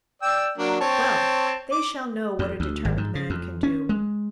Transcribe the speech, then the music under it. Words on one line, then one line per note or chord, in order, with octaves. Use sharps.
Well, they shall know what a determined man can do.
D5 G5 E6
F#3 A#3 D4
C4 C#5 A5
D6
F2
D2
G#1
G#2
C#3
F2
C#4
G#3